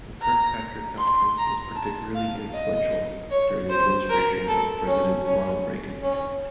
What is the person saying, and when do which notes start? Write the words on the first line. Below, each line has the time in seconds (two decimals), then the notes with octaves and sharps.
The Kirkpatrick Doctrine was particularly influential during the administration of President Ronald Reagan.
0.22 A#5
0.98 C6
1.37 A#5
1.76 A5
2.15 F5
2.54 D#5
3.31 C#5
3.69 C5
4.09 A#4
4.48 A4
4.86 C#4
5.25 C#4
6.02 C#4